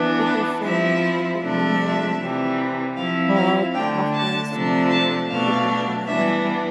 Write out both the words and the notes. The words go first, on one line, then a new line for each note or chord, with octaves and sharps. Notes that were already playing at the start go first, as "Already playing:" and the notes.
We can send a quick email or or call the office, er, or corporation or whatever
Already playing: E3 B3 D4
B4
F3 C4 E4 E5
C3 F3 A3 D4
E5
C3 E3 G3
F3 C4 E4 F5
F5
D3 A3 D4 G5
A5
C3 F3 A3 D4
A5
B2 A3 D4 F5
E3 G3 B3 D4 E5